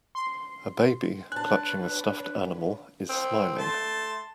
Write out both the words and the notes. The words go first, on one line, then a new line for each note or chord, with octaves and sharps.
A baby clutching a stuffed animal is smiling.
C6
D4 B4 C#5 G#5 A5 F#6
C4
A3 A5 C6